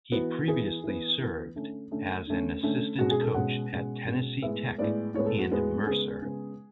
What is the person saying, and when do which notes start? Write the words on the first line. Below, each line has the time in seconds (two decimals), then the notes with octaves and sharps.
He previously served as an assistant coach at Tennessee Tech and Mercer.
0.12 E3 B3 F#4
0.48 E3 B3 G#4
0.84 E3 B3
1.19 E3 B3
1.55 D3 A3 C#4
1.91 D3 A3 C#4
2.27 D3 A3 C#4
2.63 D3 A3 C#4
2.98 B2 G#3 C#4 F#4
3.10 G#4
3.22 A4
3.34 B2 G#3 C#4 F#5
3.72 B2 G#3 C#4
4.07 B2 G#3 C#4
4.42 A2 G#3 B3 E5
4.78 A2 G#3 B3 D5
5.14 A2 G#3 B3 C#5
5.26 A4
5.39 F#4
5.51 A2 G#3 B3
5.86 C#3 G#3 B3 G#4
6.22 C#3 G#3 B3